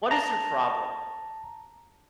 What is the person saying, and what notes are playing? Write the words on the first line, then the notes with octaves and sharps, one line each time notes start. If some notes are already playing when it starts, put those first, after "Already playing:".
"What is your problem?
A5 A#5